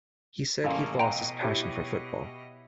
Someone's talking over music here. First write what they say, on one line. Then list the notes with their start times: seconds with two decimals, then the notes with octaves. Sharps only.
He said he lost his passion for football.
0.64 A1 C#3 A3 A#3 F5 C6
0.99 B2 D#5 G5 A#5
1.41 E4 G4 C#5